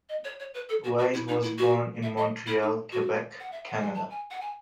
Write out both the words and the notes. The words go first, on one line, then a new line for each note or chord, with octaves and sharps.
Wise was born in Montreal, Quebec, Canada.
D#5
C#5
C#5
B4
A4
F#4
F#4
E4
D#4
E4
F#4
E5
D#5
E4
D#4
F#4
F#5
E5
F#5
G#5
A5
G#5
F#5
G#5